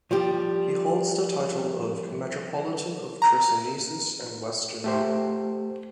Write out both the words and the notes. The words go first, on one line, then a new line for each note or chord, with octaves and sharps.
He holds the title of "Metropolitan of Chersonesus and Western Europe".
F3 G3 G4
A#5
A3 G4 C5